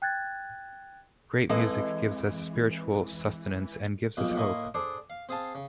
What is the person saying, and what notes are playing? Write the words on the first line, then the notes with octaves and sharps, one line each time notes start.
Great music gives us spiritual sustenance and gives us hope.
G5 F#6 G#6 A6
E3 G#3 C4 E4 A4 B4 D#5
B1 F2 G#3 A#3
A2 A3 A#3 E4 D#5 C6
D4 G#4 A4 C5 D5
F5
C4 G#4 F5 G#5 A5 C6
C#3